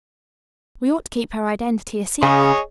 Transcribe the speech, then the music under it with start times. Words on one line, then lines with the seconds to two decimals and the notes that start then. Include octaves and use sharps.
We ought to keep her identity a secret.
2.23 C#3 G#4 C#5 D#5